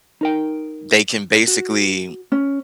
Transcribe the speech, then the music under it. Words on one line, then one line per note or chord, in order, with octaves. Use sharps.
they can basically,
D#4 A#4 G5
F#4
C#4